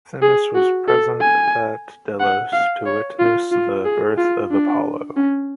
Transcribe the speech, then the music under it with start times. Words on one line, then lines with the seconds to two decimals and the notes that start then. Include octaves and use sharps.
Themis was present at Delos to witness the birth of Apollo.
0.22 G#4
0.54 F#4
0.87 A4
1.21 G#5
2.20 F#5
2.53 F5
2.86 C#5
3.19 F4
3.52 F4
3.85 G#4
4.18 F4
4.51 D4
5.16 C#4